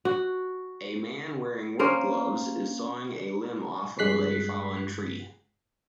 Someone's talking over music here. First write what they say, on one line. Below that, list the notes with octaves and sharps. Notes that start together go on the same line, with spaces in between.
A man wearing work gloves is sawing a limb off of a fallen tree.
F#4
A#3 C#4 A#4 C5
G2 G#3 F#6 B6 C7